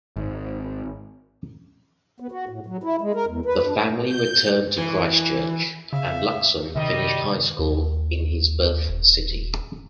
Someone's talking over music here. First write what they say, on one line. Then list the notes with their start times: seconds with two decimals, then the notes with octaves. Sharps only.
The family returned to Christchurch and Luxon finished high school in his birth city.
0.17 G#1
2.20 B3
2.32 F#4
2.49 A2
2.66 F#3
2.83 E4
3.01 G#3
3.15 A#4
3.27 E2
3.46 B4
3.67 D4
4.04 G6
4.78 E3
5.93 C#3 E5 F5
6.75 C3 D#3 G3 D#5
7.59 D#2
8.89 D#1